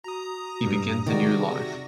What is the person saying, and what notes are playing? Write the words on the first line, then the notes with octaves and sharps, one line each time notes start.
He begins a new life.
F#4 A#5 D#6
G2
C3 D#3 G3 F#4 G#4 D5 A#6